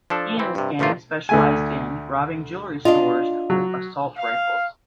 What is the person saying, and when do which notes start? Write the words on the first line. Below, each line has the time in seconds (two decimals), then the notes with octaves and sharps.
He and his gang specialised in robbing jewellery stores with assault rifles.
0.10 F3 D4 A4
0.39 E3 C4
0.55 G2 C3
0.79 A1 F3 A3 A#3 F4 A#4
1.29 D2 A3 G#5
2.85 D4 F4 D#5
3.50 F#3
4.17 F5